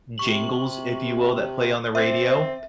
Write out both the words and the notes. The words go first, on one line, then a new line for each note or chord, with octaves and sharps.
jingles, if you will, that play on the radio,
C3 C#6 F#7
C4 E5